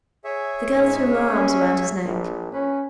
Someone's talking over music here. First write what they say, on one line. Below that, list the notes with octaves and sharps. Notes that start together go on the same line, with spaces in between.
The girl threw her arms round his neck.
G#4 C#5 E5
G#2
C#4
A#1
C#4 B4